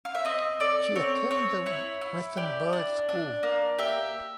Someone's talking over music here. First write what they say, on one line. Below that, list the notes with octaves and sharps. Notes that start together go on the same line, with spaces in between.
She attended Westonbirt School.
F5
E5
C4 D#5
A4 D5
C4 C#5
C4 C#5
E4 C#5
E4
G4 D5
D4
D4
A#3
G4 E5